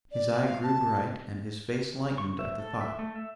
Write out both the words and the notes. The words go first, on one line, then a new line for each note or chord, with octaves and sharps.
His eye grew bright, and his face lightened at the thought.
D5
F5
A5
C#6
E5
A4
E5
A3
E5